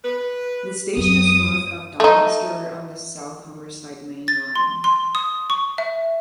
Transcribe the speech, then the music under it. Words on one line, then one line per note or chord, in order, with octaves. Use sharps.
The station is north of Doncaster on the South Humberside Main Line.
B4
F#2 D#6
A3 D#4
A6
C6
C6
D#6
C#6
E5